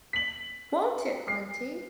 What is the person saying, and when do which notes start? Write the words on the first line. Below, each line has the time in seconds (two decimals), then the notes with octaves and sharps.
Won't it, auntie?
0.13 B6 F#7
1.28 C7